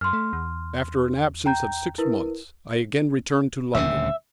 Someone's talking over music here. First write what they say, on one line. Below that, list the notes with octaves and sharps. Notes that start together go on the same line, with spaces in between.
After an absence of six months, I again returned to London.
F#2 C6 F6
A3
E2
G5 A#5 G6
E4 A#4 B4
D#1 D2 C#3 E5